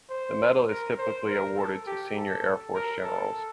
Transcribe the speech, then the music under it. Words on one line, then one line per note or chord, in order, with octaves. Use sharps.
The medal is typically awarded to senior Air Force generals.
C5
A#4
C5
A#4
A4
G4
A4
A#4
A4